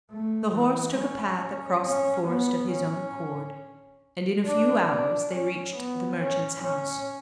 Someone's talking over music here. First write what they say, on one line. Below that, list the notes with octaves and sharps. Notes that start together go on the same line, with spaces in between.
The horse took a path across the forest of his own accord, and in a few hours they reached the merchant's house.
A3
E3
C#4
C#4
B3
C#4
D4
D4
C#4
B3
C#4
C#4